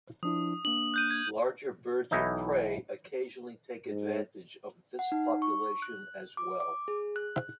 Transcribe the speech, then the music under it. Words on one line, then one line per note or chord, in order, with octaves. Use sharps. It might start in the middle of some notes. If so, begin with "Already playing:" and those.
Larger birds of prey occasionally take advantage of this population as well.
F3 D4 E4 D#6
A#3 D4 F#7
F#6 G6 D#7
G#6
B1 E3 D#4 E4
G#2
F#5
D#4
C#6
F#6
D6
D6
G#4
F#6